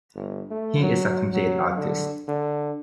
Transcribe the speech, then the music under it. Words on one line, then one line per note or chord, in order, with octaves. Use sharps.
He is a complete artist.
G1
A3
F#3
F#3
D3
D3